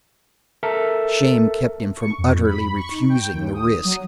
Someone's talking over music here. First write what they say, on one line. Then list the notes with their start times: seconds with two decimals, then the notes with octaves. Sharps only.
Shame kept him from utterly refusing the risk.
0.63 A4 A#4 E5
1.97 C#6
2.18 F2
2.44 B5
2.76 C#6
2.91 D#4
3.09 G5
3.33 D#2
3.54 D#6
3.84 F#3